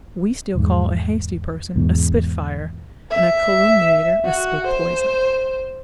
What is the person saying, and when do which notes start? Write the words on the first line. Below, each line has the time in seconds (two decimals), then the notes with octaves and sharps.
We still call a hasty person a "spitfire", and a calumniator a "spit-poison".
0.55 E1 G#2
1.75 E1 E2 G#2
3.10 E5
4.25 F#4
4.67 C5